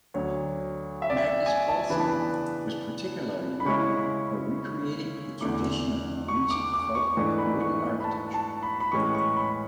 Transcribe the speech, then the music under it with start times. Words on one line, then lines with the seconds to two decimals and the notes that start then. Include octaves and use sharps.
Magnus Poulsson was particularly known for recreating the tradition of Norwegian folk wooden architecture.
0.14 D2 D3 F#3 C#5
1.02 E5
1.10 D5
1.17 E5
1.46 G#5
1.68 A5
1.90 C#3 E3 B3 D4 B5
2.00 A5
2.10 B5
3.60 B5
3.65 C#3 G#3 C#4 E4 C#6
5.41 E2 D3 A3 E4 D6
6.28 C#6
6.51 D6
6.74 D6
6.95 C#6
7.16 G#2 E3 A3 D4 C#6
7.38 B5
7.61 C#6
8.00 B5
8.04 A5
8.34 A5
8.63 B5
8.80 B5
8.92 A2 E3 G#3 C#4 C#6
9.15 C#6
9.37 B5